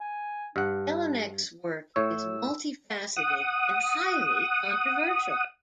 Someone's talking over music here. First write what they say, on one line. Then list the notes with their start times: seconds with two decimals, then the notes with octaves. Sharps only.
Jelinek's work is multi-faceted and highly controversial.
0.01 G#5
0.56 G2 D4 F#5
1.96 A2 C#5 E6
3.16 F#5 D#6